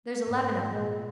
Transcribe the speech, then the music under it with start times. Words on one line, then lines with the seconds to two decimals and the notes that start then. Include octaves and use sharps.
There's eleven of them.
0.25 G#2
0.72 A#2 G#3